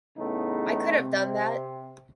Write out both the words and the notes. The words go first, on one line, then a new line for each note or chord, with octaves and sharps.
I could have done that.
E2 A2 C#3 A3 B3 D#4
C3